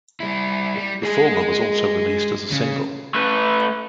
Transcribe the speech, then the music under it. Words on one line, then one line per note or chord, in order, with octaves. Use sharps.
The former was also released as a single.
G3 E4
G3
G#3 G#4
C#3
A3 B4